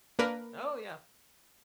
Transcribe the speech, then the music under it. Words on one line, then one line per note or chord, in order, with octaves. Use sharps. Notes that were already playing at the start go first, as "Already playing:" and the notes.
Oh, yeah.
A#3 D4 A#4 B4